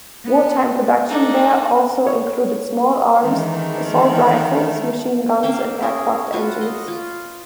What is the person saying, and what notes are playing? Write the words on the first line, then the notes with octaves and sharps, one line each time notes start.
War-time production there also included small arms, assault rifles, machine guns, and aircraft engines.
B3
D4 D#4 A4
C#5
D#3 E3 G#3 A3
A#3 E5 F5 G5
C#4 G#4 A#4
F4 F#4 B4 E5
D#5
F4